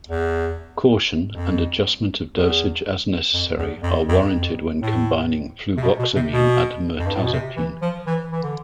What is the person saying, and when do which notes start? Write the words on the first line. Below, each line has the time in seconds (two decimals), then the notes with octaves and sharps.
Caution and adjustment of dosage as necessary are warranted when combining fluvoxamine and mirtazapine.
0.09 E2
1.33 F2
2.33 E2
3.33 F2
3.58 E2
3.83 F2
4.08 F2
4.32 F2
4.82 A2
5.77 C3
5.82 B2
5.99 B2
6.16 C3
6.32 B2
6.99 F2
7.06 G2
7.15 A2
7.23 B2
7.32 C3
7.56 E3
7.81 F3
8.06 E3
8.32 E3
8.43 D3